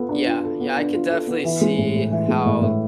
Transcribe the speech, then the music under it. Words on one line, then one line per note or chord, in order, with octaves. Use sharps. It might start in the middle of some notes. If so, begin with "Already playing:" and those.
Yeah, yeah, I could definitely see how
Already playing: B3 F4 A4
D4
F4
A4
B3
D4
F4
A4
B3
E3
G#3
A2
A2
E3
G#3
A2
A2